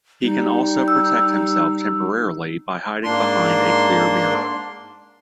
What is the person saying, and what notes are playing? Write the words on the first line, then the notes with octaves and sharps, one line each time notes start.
He can also protect himself temporarily by hiding behind a clear mirror.
G3 D#4
E6
G#2 A#3 D4 C6